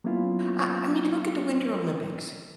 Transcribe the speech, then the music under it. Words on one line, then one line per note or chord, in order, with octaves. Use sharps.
I I mean look at the Winter Olympics.
F#3 A#3 B3 C#4 E4 F4